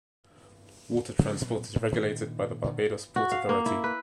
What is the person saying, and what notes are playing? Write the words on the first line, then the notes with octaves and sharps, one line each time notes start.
Water transport is regulated by the Barbados Port Authority.
C#3 F3 G3 A#3
A#2 F#3 C4
A2
A#2 D#3 D4
A#2 D3 D#3
F#4
F5
A#3
E4
B4